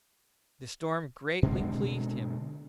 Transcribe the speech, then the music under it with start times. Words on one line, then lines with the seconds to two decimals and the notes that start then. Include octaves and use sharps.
The storm greatly pleased him.
1.43 B2 D3 G#3 C4